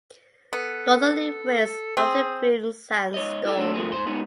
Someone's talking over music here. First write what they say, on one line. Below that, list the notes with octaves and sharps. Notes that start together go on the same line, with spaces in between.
Northerly winds often bring sandstorms.
B3 A4
C4 G#4
G#2 C#5 D#5
E4 A4 G5
D#2 C3 D#3 A3 C4 D4
D3 F3 A3 A#3 C4 G#4
G#2 C5 C6
G#3 A#3 B3 C#4 D#4 G4